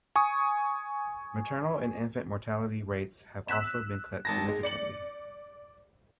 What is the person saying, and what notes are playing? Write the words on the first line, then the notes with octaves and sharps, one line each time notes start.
Maternal and infant mortality rates have also been cut significantly.
G#5 C#6 D#6
E6 F#6 B6 E7
G#1 A5 A#6
G#3
D5 C#7 F#7